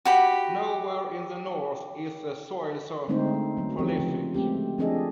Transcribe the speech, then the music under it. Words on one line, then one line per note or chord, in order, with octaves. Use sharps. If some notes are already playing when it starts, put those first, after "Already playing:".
Nowhere in the North is the soil so prolific.
F#4 G4 B5
D3 G#3 A3 C4 D#4 C5
F#3 B3
F3 B3 C4 G4
C#3 F3
G#3 A3 C4 G4
F3 C4 D4 G#4 A4 D#5